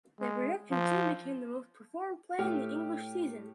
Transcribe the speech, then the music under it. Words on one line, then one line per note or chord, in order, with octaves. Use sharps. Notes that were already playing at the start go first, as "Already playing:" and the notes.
The production soon became the most performed play in the English season.
G#3
F3
A2 A3 G4 F6